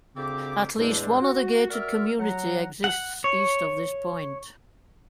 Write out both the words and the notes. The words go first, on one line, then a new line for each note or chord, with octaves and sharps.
At least one other gated community exists east of this point.
D2 C#3 C4 G4 D6
E2 A2 G#3 C4 D4
F#4
F#4 A#4 D5 E5 F6
F#3 F#5 A#5
F#5
C#5